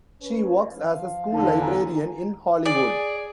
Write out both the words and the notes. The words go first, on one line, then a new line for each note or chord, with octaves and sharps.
She works as a school librarian in Hollywood.
C#4 B4
F3 F5
E2 D3 D#4 A5
G#5 A#5
G#4 D5